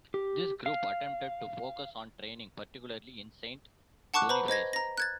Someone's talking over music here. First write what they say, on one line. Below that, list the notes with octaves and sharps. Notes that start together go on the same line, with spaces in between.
This group attempted to focus on training, particularly in Saint Boniface.
G4
F5
F#5 A5 C#6 D6 F#6
B4 C5 A#5 B5
C5 D#5 G#6 A#6
A#5 A#6
F#6 G#6 A6